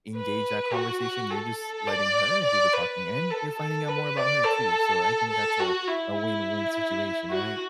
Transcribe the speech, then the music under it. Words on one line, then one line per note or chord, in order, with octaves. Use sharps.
engage that conversation, you're just letting her do the talking, and you're finding out more about her too, so I think that's a a win-win situation, right?
B4
F#4
F#4
A4
D5
D5
B4
A4
A4
B4
D5
A4
A4
F#4
E4
E4
F#4